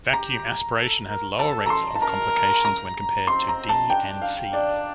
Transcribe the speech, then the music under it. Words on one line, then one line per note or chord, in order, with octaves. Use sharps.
Vacuum aspiration has lower rates of complications when compared to D and C.
G4 A#5
A4
A#4
A4 A5
A#5
C6
A5
A#4 A#5
A#5
C4 C6
A#5
A5
D4 G5
F5
D4 D5